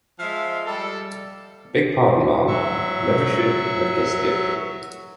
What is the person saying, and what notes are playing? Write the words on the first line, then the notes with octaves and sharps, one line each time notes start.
Beg pardon, ma'am; never should have guessed it.
F3 G#3 E5 F5
G3 A4
F#3 E5 C#6